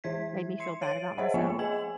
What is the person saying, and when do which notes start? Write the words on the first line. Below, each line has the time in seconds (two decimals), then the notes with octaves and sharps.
made me feel bad about myself,
0.04 E3 E4 E5 G#6 B6
0.60 C6 C7 C#7
0.81 C#5 A6 D7 D#7 F#7
1.18 G#4 C5 C#5 D#5 E5 F#5
1.34 F3 A#3 B3 F4 G#5 C#7
1.59 G#4 D#5 G#5 G#6 F#7